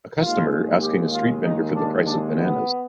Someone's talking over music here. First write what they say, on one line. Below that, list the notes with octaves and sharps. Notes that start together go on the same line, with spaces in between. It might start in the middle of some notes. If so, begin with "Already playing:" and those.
A customer asking a street vendor for the price of bananas.
D#2 D#3 G#3 F4
G4
F4
D#4
D4
D4
B3